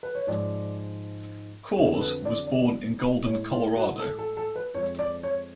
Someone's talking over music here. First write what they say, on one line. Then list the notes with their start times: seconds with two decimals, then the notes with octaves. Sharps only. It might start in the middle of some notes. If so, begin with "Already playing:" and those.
Coors was born in Golden, Colorado.
0.03 B4
0.15 C#5
0.27 G#2 F3 G#3 D5
1.76 F2 D3 F#3 C#5
1.95 A4
2.01 B4
2.25 D5
2.47 D5
3.25 A2 G#3 C#5
3.50 F4
3.75 F#4
3.99 A4
4.19 A4
4.37 A4
4.56 B4
4.74 F2 F3 G#3 C#5
4.99 D5
5.23 C#5